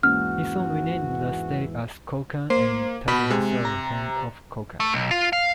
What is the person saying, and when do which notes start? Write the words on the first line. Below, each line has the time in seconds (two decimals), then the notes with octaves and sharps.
He soon renamed the state as Kokang and titled himself Heng of Kokang.
0.03 E2 G#2 E3 G#3 A#3 C#4 F#4 F6
2.50 A#3 C5
3.08 B2 B4 B5
3.30 C3 G#3
3.65 A#5
4.80 A3
4.94 B1
5.11 F4
5.33 F5